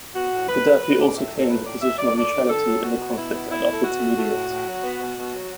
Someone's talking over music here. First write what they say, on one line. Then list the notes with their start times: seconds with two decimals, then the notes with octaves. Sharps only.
Gaddafi also claimed a position of neutrality in the conflict and offered to mediate.
0.15 B3 F#4
0.31 A2
0.48 A2 B4
0.65 F#3
0.82 B3 B4
0.98 A2 D5
1.15 A2 E5
1.31 F#3
1.38 A4
1.48 A3 B4
1.65 A2 D5
1.81 A2 E5
1.98 F#3 D5
2.15 A3 D5
2.32 D3
2.49 D3 A4
2.65 F#3
2.82 B2 F#4
2.99 B3
3.15 B2 E4
3.33 B3
3.50 B2 E4
3.66 A3
3.71 A4
3.83 B2 F#4
3.99 A3
4.16 A3
4.33 A2
4.49 A2
4.66 F#3
4.83 B3
5.00 B2
5.16 B2
5.34 F#3